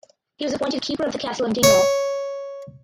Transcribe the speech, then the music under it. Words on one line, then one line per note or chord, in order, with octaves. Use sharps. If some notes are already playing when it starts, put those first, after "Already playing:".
He was appointed keeper of the castle of Dingwall.
C#5